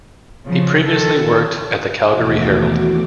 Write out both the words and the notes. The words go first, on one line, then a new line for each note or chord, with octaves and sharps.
He previously worked at the "Calgary Herald".
C#3 F3
D#3 F3 A4
D#2 B2 E3 A3 F#4 D6